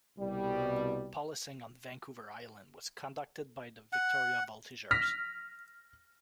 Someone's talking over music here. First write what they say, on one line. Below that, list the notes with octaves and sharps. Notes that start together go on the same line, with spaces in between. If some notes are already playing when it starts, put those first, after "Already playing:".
Policing on Vancouver Island was conducted by the Victoria Voltigeurs.
C2 B2 G3
F#5
F6 A#6 B6